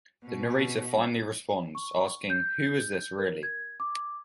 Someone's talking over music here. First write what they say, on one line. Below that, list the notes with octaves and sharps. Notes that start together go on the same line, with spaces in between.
The narrator finally responds, asking who is this really?
B2
C#6
G6
A#4
G#6
D6